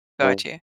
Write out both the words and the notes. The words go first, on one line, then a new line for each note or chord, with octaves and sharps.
Got you.
G2